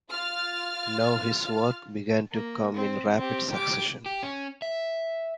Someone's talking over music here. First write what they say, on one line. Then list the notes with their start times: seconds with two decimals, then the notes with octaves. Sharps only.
Now his works began to come in rapid succession.
0.10 F4 F6 A6
2.32 A#3
2.75 C4
3.17 C4 G4
3.50 G4 D6
4.06 G4
4.23 C#4
4.62 E5